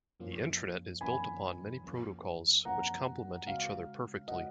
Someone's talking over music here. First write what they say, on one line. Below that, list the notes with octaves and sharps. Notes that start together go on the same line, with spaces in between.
The internet is built upon many protocols which complement each other perfectly.
F#2 F3 A#3 C#4 F4
F#2 F3 A#3 C#4 F4 G#5 B5
F#2 F3 A#3 C#4 F4
F#2 F3 A#3 C#4 F4 F#5 A#5
C#3 G#3 C#4 F#4 F5
C#3 G#3 C#4 F#4 D#5 F#5